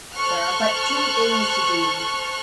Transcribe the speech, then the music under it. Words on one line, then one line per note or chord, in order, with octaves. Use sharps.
There are but two things to do.
A4 C5 C#6 F6 F#6